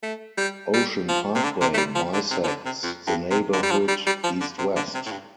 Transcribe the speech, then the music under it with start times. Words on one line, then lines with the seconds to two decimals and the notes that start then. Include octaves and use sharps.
Ocean Parkway bisects the neighborhood east-west.
0.03 A3
0.38 G3
0.73 G3
1.08 F3
1.35 C3
1.43 D3
1.61 C3
1.74 A3
1.78 G3
1.95 F3
2.14 D3
2.31 C3
2.44 F3
2.48 D3
2.66 C3
2.83 F2
3.07 G2
3.31 C3
3.53 D3
3.63 G3
3.71 F3
3.88 G3
4.07 G3
4.24 F3
4.41 D3
4.58 C3
4.76 D3
4.94 C3
5.06 A2
5.11 G2